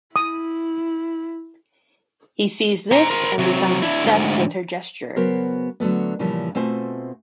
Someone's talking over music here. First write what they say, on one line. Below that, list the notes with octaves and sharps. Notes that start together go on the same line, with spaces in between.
He sees this and becomes obsessed with her gesture.
E4 D#6
C5 A#5
A#4 C5
C3 F#3
D4 E4
D2 G#2
C#3 F#3 B3 F#4 A#4 C5
D3 F#3 A3 B3
A#2 C#3 E3 F3 G3
B2 A3 C4 F4 C5 G#5